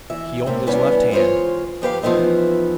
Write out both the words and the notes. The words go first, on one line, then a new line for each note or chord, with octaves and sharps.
He opened his left hand.
E3 E5
A2 C3 A3 A#3
E2 E3 G3 B3 C#4 D4
E3 G#3 F4 C5 C#5
F3 G4 B4 F5
E3 F3 A3 B3 D#4 E4